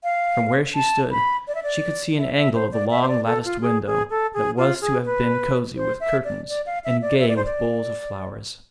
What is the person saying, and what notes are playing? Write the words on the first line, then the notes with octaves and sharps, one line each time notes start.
From where she stood she could see an angle of the long latticed window that was to have been cosy with curtains and gay with bowls of flowers.
F5
A5
B5
D5
E5
D5
E5
E5
C5
D5
E5
C5
D5
A4
F4
G#4
G#4
A4
G#4
F4
G#4
B4
C5
E5
D5
D5
F5
E5
D5
E5
D5
C5
D5